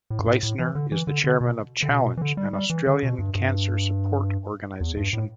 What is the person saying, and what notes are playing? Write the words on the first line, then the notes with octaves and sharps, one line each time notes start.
Gleisner is the chairman of Challenge, an Australian cancer support organisation.
A2
G2
A2
A2
E3
D3
E3
D3
D3
B2
D3
B2
E3
D3
G3
G3
E3
D3
B2
G2
G2
E2
G2
A2